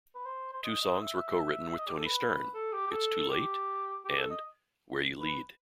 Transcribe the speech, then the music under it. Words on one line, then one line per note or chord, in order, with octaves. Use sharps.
Two songs were co-written with Toni Stern: "It's Too Late" and "Where You Lead".
B4
C5
C5
D#5
D#5
E5
E5
D#5
G4
A4
B4
A4
G4
G4
A4
G4
G4
A4
D#5
B4